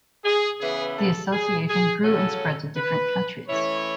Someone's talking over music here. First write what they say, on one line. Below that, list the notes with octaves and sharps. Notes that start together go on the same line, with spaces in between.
The association grew and spread to different countries.
G#4
C#3 E3 B3 E4 G#4
A4
G#4
G#4
C#3 F#3 C#4 A4
B4
E3 A3 C#4 E4 C#5